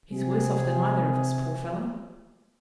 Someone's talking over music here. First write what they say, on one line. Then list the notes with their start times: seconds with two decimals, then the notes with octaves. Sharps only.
He's worse off than either of us, poor fellow.'
0.10 C3 G#4